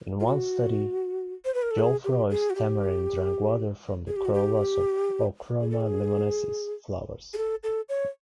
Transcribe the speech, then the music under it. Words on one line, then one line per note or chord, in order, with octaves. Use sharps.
In one study, Geoffroy's tamarin drank water from the corollas of "Ochroma limonesis" flowers.
F4
F#4
C5
B4
A#4
A4
G#4
G4
G#4
F#4
G4
G#4
G4
F#4
G4
G#4
A4
G#4
G#4
A4
A4
C#5